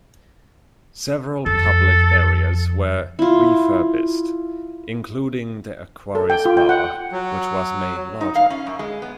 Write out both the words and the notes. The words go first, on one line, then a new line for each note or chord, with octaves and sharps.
Several public areas were refurbished including the Aquarius bar which was made larger.
F2 A4
E4 F4
A4
G5
F4
G5
F#5
F#3
D#4
F5
C#4
F#2
G#3
B3